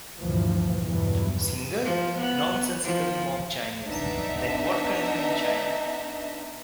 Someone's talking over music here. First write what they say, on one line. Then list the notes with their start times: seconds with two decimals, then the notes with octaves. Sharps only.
Singer: Nonsensically mock Chinese, then What country in China?
0.18 D2 G2 A#2 E3 F3
0.84 E2 G2 B2 E3 F#3
1.84 F3
2.17 B3
2.83 F3
3.88 B3 D4 D#4 E5